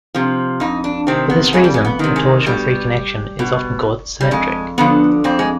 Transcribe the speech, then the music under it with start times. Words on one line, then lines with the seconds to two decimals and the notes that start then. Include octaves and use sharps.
For this reason a torsion-free connection is often called 'symmetric'.
0.14 C3 F3
0.60 F2 D#4
0.84 D4
1.07 C3 D#3 C4
1.30 B3
1.53 F2 G#3
1.64 G3
1.74 G#3
1.84 B3
1.99 C3 D#3
2.16 G#3
2.46 B2 G3
3.39 B2
4.21 G3
4.31 F2 G#3
4.78 D3 F3 B3
5.24 F2 C4
5.39 G#3